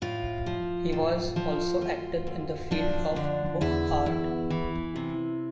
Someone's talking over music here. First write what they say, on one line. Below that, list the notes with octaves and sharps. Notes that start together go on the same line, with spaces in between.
He was also active in the field of book art.
A2 F4
F3
A2
F3
D2 F4
D2
F3 D4
D3
E2 E4
E2
E3
C3